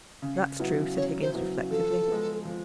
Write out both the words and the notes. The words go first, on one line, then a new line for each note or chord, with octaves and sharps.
'That's true,' said Higgins, reflectively.
C#3
F#3 B3 E4
C#3 C#5
C5
F#3 B3 E4
F3 A4
G#3 B3
F3